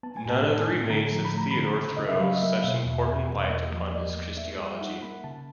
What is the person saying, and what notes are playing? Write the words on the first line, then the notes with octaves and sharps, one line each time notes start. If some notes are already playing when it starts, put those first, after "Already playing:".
None of the remains of Theodore throw such important light upon his Christology.
B3 A5
G#5
A2 A5
A2
A2
D3 A#5
F3
B5
A3 A#5
D3 B5
C#3
C#3 D#5
E5
F#3 F5
D#5
A#3 E5
B2 E5
E2
B2
E2
E5
A#3 D#5
F3
A#3 D5
A#3
A#3 E5
G3
D#4 F#5
A#3 B5
C#3 A5